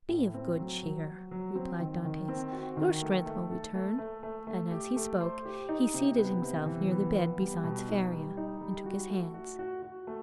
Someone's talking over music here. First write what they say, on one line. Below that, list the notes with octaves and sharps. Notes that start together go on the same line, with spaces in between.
"Be of good cheer," replied Dantes; "your strength will return." And as he spoke he seated himself near the bed beside Faria, and took his hands.
A2
C4
F#3
F#3
F#3
F#3
C4
D#3
D#3
C4
F#4
D#3
A3
A3
A4
A3
A3
A3
A3
G4
A3
C5
G4
D#4
C3
B3
C3
E3
B3
B3
G3
B2
D#4
G3
D#4
G3
F#4
A3
F#4
F#4
F#4
A3